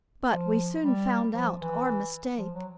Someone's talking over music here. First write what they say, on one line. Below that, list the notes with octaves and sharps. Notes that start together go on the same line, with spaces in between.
But we soon found out our mistake.
F3
G3
F3
E3
F3
F#3